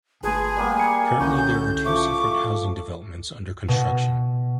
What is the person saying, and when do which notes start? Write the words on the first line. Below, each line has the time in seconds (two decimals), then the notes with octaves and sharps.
Currently, there are two seafront housing developments under construction.
0.23 G1 A3 G#4 B4 G#5 A5 C6
0.57 G3 A#3 F#5
0.80 C#7
1.20 C2 A2 D3 C#4 F#4 C#6 G6
1.85 F3 A3 C#6 D6
3.68 B2